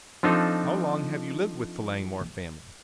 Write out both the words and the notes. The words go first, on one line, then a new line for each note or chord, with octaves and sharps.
"How long have you lived with the Langmore family?"
F3 C4 D4 D#4 F4 A4